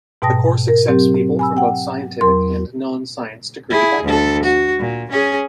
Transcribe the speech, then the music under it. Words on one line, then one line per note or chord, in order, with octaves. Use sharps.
The course accepts people from both scientific and non science degree backgrounds.
G#2 B2 G5 A5 D#6 A#6
A#4
F#3 C4 G4
G#5 B5 E6
F#5 G5
E2 F#3 A#4 C6
E4 G#4
D2 A4
F#4
A#2
C#4 G#4